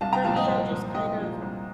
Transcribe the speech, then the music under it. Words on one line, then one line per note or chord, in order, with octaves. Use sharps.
for me, I just kind of
C2 F5 A5
G5 A#5
A#2 F3 F5 A5
D#5 G5
C2 C5
A#2 F3
C2 D#5 G5
A#2 F3
C2